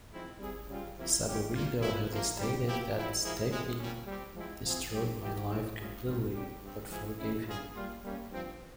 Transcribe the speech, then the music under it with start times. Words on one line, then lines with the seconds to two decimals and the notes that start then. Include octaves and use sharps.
Saburido has stated that Stephey "destroyed my life completely," but forgave him.
0.12 G#2 F3 G#3 C4 E4
0.40 G3 C4 E4 G#4
0.68 C#3 G3 C4 F4 G#4
0.97 C3 F3 A#3 E4
1.25 G#2 G3 C#4 G4
1.53 G3 A#3 F4
1.81 A#2 F3 G#3 E4
2.10 C3 F3 A#3
2.38 G3 C4 G4
2.67 F3 A#3 E4 G4
2.95 F3 G#3 C4 E4
3.22 G#2 F3 A#3 E4 G#4
3.51 C3 F3 G#3
3.79 A#2 G3 C#4
4.07 G3 C4 G4
4.35 F3 G#3 C4 E4
4.65 F3 C4 E4 G#4
4.92 G2 G3 C4 G4
5.21 E3 G3 C4 G4
5.49 G#2 F3 G#3 C4 E4
5.77 A#2 G3 C#4 F4 G#4
6.06 G#2 E3 G3 C4 F4
6.34 C3 G3 C#4 G4
6.62 G2 G3 C4
6.90 F3 G#3 E4 G#4
7.19 E3 G#3 C#4 E4
7.47 G2 G3 A#3 F4 G#4
7.75 G3 A#3 F4
8.04 G3 A#3 C#4
8.31 G2 F3 C4